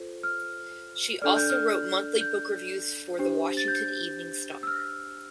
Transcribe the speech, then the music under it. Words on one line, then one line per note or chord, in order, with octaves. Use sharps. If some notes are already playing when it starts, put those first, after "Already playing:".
She also wrote monthly book reviews for the "Washington Evening Star".
Already playing: F4 A4 C5
F6
D4 A4 D5 F6
G6
F6
G6
D4 G4 C5
A6
G6
E6
F6